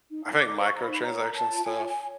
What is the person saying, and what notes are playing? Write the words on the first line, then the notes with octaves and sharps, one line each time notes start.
I think microtransaction stuff
D#4
D#4
D#4 D6
C5
C#6
C5
A#5
B5
D#4
C#5 A#5
A#4
C#5 A5
F4
F4 G#5
C#5 G#5
C#5